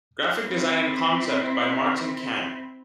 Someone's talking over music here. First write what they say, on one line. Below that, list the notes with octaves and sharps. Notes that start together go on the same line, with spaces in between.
Graphic design and concept by Martin Kann.
C4 E4